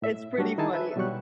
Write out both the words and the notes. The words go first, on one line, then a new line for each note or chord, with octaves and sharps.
It's pretty funny
A2 E5
F#3 G3 D4 F#4
D#3 D#4 E4 G#4 G#5 A5
B4 E5
B2 F#3 G3 G4 C#6 F#6